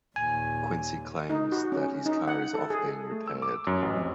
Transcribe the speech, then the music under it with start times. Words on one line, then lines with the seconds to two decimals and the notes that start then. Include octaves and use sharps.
Quincy claims that his car is off being repaired.
0.16 D#2 A#2 G#5
1.30 D#4
1.52 F#4
1.72 C#4
2.06 D#4
2.28 F#5
2.54 A4
2.70 G#4
3.12 A3
3.27 E6
3.42 D6
3.67 F#2
3.82 A1
3.97 F2